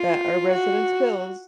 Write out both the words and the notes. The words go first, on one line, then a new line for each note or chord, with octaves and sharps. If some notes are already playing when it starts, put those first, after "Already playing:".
that our residents' pills
Already playing: F4
F#4